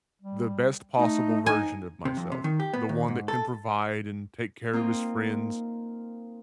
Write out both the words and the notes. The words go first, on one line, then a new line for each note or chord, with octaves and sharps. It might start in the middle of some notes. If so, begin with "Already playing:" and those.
the best possible version of myself. The one that can provide and take care of his friends,
G3
A3 D#4
D#4 G#5
C3
F2
C3
D#3
G4
B3
D#2
G#2
A4
A#3 C4 D#4 F4